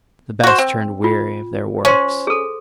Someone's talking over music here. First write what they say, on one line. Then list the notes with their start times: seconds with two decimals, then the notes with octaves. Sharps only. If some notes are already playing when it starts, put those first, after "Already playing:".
The best turned weary of their works.
0.43 F#4 C5
0.58 C4
1.04 F4
1.85 C#4 C5 C6
2.27 G#4 A4